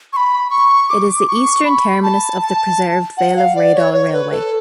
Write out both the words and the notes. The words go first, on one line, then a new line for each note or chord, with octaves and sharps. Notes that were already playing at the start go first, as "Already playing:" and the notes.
It is the eastern terminus of the preserved Vale of Rheidol Railway.
C#6
B5
C#6
D6
C#6
B5
A5
A5
F#5
F5
D5
C#5
C#5
B4
A4